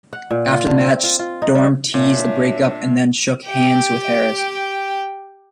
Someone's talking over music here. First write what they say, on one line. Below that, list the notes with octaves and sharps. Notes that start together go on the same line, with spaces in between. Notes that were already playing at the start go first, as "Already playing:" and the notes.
After the match, Storm teased the breakup and then shook hands with Harris.
F#5
A#2
F4
D3
C4
F4
F4
D#4
G3
A#2 D4 C#5 E5
G4 G5